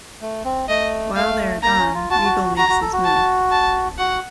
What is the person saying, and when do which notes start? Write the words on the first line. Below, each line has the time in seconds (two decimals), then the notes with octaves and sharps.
While they are gone, Regal makes his move.
0.21 A3
0.45 C4
0.68 A3 D#5
1.16 A3 F5
1.63 A#3 A#5
1.79 C#4
1.95 F4
2.10 F#4 A5
2.18 F4
2.25 F#4
2.57 F#4 A#5
2.69 F#4
2.81 A4
2.93 F#4
3.05 A5
3.51 A5
3.98 F#4 F#5